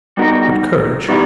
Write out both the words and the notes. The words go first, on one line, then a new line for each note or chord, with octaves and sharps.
But courage!
G3 B3 D#4 F#4 A#4
D#3 G3 B3 E4